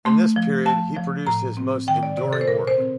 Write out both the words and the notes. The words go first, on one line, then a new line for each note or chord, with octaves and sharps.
In this period, he produced his most enduring work.
A3 C6
F3
F3 A5
F3
A2 A#5
C4
D#3 G5
D5
C3 D5
A4
C5
A#2 A#4
C5
C4